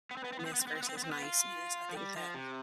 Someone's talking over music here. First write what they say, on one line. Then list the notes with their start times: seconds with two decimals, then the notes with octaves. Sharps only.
kindness versus niceness. I think that
0.11 B3
0.17 C4
0.24 B3
0.33 C4
0.39 B3
0.46 C4
0.54 B3
0.61 C4
0.67 B3
0.75 C4
0.83 B3
0.89 C4
0.97 B3
1.04 C4
1.12 B3
1.22 F4
1.89 F3
1.97 G3
2.17 F3
2.34 C3